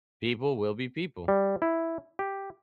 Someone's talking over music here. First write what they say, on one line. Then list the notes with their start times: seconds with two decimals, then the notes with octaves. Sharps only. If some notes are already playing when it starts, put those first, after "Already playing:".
People will be people."
1.28 G3
1.62 E4
2.19 G4